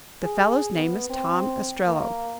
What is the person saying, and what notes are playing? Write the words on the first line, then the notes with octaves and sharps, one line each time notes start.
"The fellow's name is Tom Ostrello."
G#4
B3
C4
A#3